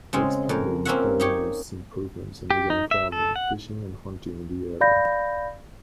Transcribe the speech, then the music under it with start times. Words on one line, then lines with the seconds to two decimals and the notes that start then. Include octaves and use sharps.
They expanded Paulhamus' improvements and began farming, fishing and hunting in the area.
0.13 C#3 G#3 C4
0.49 F2 A#4
0.85 A#3 C4 C#4 C#5 E5 F#5
1.20 D#4 G4 C#5
2.50 G4
2.70 D#4
2.91 E5
3.12 A4
3.36 F#5
4.81 D5 F5 B5 G6 A#6